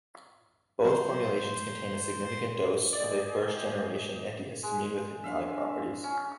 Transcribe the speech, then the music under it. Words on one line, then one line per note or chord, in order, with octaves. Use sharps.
Both formulations contain a significant dose of a first generation antihistamine with hypnotic properties.
F#3 C5
G4 G#4 D5 D#5
G#3 G#4
D4 E5 F5
C#4